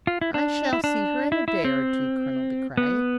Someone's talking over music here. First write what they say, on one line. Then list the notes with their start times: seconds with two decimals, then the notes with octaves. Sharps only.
"I shall see her in a day or two, Colonel De Craye."
0.07 F4
0.21 E4
0.34 D4
0.73 E4
0.84 D4
1.32 E4
1.48 E4
1.65 C4
2.77 B3